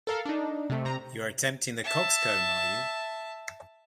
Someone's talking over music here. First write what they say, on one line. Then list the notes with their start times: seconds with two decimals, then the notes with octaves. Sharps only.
You are attempting the coxcomb, are you?
0.07 A4 A#4 F5
0.25 D4 D#4
0.70 C3 A3
0.85 C3 A#5
1.84 E5 A5